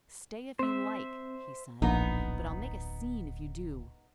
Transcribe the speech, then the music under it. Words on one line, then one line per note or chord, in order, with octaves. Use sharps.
"Stay if you like," he said, "but I'll make a scene if you do."
C4 C5 E5
D1 A#1 B3 D#4